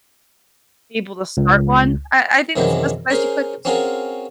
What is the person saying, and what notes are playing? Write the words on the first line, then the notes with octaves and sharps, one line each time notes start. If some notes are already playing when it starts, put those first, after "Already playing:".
be able to start one. I I think that's the best advice you could give someone.
C#2
F#2 C3 D#3 E3 F#3 G#3
C#4 G#4 A#4 C5
C4 C#4 F4 F#4 G#4 A#4